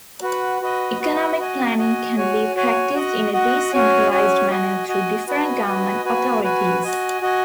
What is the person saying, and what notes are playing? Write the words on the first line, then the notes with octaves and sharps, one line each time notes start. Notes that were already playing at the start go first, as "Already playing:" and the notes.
Economic planning can be practiced in a decentralized manner through different government authorities.
F#4 B4 F#5
F#4 B4 D#5
F#4 B4 D#5
F#4 D#5 G#5
F#4 D#5 G#5
F#4 C#5 G#5
F#4 C#5 G#5
F#4 D#5 F#5
F#4 D#5 F#5
C#4 F#4 C#5 G#5
C#4 F#4 C#5 G#5
F#4 D#5 G#5
F#4 D#5 G#5
F#4 B4 D#5 G#5
F#4 B4 D#5 G#5
F#4 B4 G#5
F#4 B4 G#5
F#4 D#5 G#5
F#4 D#5 G#5